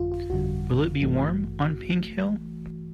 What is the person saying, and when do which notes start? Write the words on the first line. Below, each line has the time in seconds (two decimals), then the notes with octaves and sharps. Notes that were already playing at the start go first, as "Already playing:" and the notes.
Will it be warm on Pink Hill?
Already playing: G1 F2 D3 G3 F4
0.12 F4
0.30 G1 F2 D3 G3 F#4
1.01 A1 G2 E3 A3